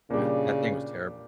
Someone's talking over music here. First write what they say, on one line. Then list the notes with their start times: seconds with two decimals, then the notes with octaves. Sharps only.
Yeah. That thing was terrible.
0.10 A#2 C#3 G3 D4 G4